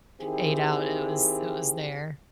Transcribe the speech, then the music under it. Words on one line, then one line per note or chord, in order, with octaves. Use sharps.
ate out, it was it was there.
D#3 C4 E4 G4 G#4